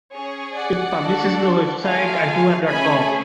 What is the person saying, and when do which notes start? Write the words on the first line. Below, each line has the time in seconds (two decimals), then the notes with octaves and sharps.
It publishes the website Antiwar dot com.
0.14 C#4 G#4 C#5
0.56 D5 F#5
0.98 D4 F#4 A4
1.82 A3 F4 G#4 F5 G#5
2.67 A3 C#4 G#4 G#5 B5